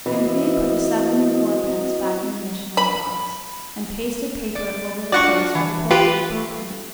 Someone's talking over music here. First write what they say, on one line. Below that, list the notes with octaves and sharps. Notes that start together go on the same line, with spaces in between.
Anthea put the seven-and-fourpence back in the missionary-box, and pasted paper over the place where the poker had broken it.
E3 C4 F#4 D#5
B5
D5
D4 F4 F#4 D5 F#5 C#6
E3
F4 G4 B4